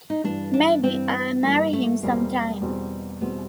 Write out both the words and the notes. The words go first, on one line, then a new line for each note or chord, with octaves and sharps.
Maybe I'll marry him some time.
D#4
G2 E3 G3 D4
D4
G2 E3 G3 C4
G2 E3 G3 A#3
A3
E2 B2 G3 A#3 C4
E2 B2 G3 C4
E2 B2 G3 B3 C4